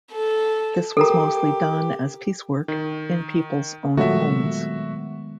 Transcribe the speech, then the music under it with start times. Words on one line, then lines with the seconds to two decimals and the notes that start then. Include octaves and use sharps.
This was mostly done as piecework in people's own homes.
0.11 A4
0.97 G4 A4 A#4 A#5
2.68 D#3
3.97 A#2 D#3 F#3 G#3 A3 B3 F#4 E5